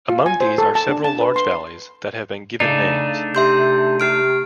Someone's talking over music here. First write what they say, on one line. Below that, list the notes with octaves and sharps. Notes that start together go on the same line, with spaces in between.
Among these are several large valleys that have been given names.
F4
G#5
C5
A4
A5
D4
A5
B4
C6
C#3 A3 D4 D#4 D5
C3 E5 C6 G6
C3 G4 F6 D7